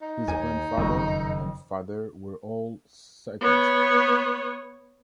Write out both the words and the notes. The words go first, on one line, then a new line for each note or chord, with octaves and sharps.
His grandfather and father were all cyclists.
D#4
D#2 G#5
F#1 F2 D#3 C#6
B3 C#5